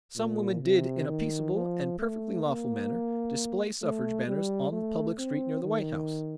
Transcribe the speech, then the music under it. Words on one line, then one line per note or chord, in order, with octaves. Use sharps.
Some women did in a peaceable, and perfectly lawful manner, display suffrage banners on the public street near the White House.
A#2
C3
D#3
F3
A3
A#3
A3
G3
A3
C4
D#3